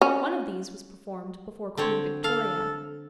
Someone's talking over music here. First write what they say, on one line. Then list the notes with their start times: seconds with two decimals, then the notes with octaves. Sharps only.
One of these was performed before Queen Victoria.
0.02 C#4
1.77 D3 C4 C#5
2.24 A4 F5